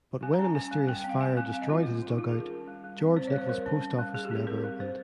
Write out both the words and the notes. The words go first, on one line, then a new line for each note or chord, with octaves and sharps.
But when a mysterious fire destroyed his dugout, George Nickel's post office never opened.
G3 G#5
A#5
C#4
G#5
C#4 G#5
G3
G3 G5
C4
F5
C4 G#5
G3 G#5
C4 F5
D#5
D#3 F4
G#3
D#3
D#4
G3 F4
G#4
C#4
A#4
C#4
G3
G3
C4
C4 C5
C#5
G3
C5
G3 A#4
C#4
C#4
G3
G3 G#4
G4
C4 G#4
C4 A#4
G3
G3 C5